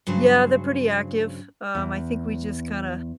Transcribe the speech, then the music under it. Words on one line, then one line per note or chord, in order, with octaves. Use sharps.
Yeah, they're pretty active. Um, I think, we just kinda
G2 C#3 F#3 C5
E2